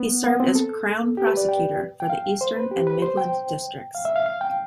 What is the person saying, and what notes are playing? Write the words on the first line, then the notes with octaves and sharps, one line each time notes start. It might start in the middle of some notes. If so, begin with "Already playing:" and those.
He served as crown prosecutor for the Eastern and Midland Districts.
Already playing: B3
B3
C4
A4
G4
B4
D5
G5
G5
F5
C5
B4
G4
B4
C5
G5
F5
E5
F5
F5
G5